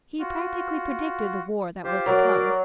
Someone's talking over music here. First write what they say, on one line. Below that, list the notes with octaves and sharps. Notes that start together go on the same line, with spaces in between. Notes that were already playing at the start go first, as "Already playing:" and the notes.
He practically predicted the war that was to come.
F4 F#4
F4 G4 C5
F#3 A#4 D5